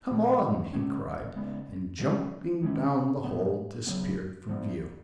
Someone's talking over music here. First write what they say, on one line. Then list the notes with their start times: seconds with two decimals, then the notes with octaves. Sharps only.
"Come on!" he cried, and jumping down the hole, disappeared from view.
0.11 A#2 F3 A#3
0.73 C#3 G#3 C#4
1.36 C#3 G#3 B3
1.99 C#3 F3 G#3 C#4
2.62 D#3 G#3 C#4
3.24 A#2 F3 B3
3.87 C#3 F#3 B3
4.49 F3 B3